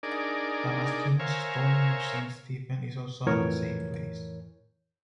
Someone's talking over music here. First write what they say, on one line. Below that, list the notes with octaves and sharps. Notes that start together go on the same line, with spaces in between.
Damaskinos’s "Stoning of Saint Stephen" is also at the same place.
D4 D#4 G#4 A#4 D5
A#4 C5 C#5 E5 F5 G#5
F2 A2 E3 A#4 C#5 G#6